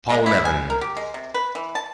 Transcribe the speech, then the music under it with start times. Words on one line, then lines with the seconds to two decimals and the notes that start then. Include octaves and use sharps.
Paul Nevin.
0.10 G#3
0.26 E4
0.45 G#5
0.70 A#4
0.81 G4
0.97 G#3
1.14 C3
1.34 B4
1.55 E3
1.75 A5